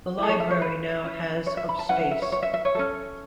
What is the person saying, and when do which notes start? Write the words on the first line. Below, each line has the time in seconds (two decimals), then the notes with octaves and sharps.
The library now has of space.
0.18 E4 A4
0.29 C#5
0.40 E5
0.51 C#5
0.62 B4
1.04 C#4 E4 B4
1.46 C#5
1.57 E5
1.69 B5
1.79 A5
1.89 C#4 E4 B4 F#5
2.01 F#5
2.11 E5
2.22 C#5
2.32 C#5
2.42 E5
2.54 E5
2.65 C#5
2.75 C#4 A4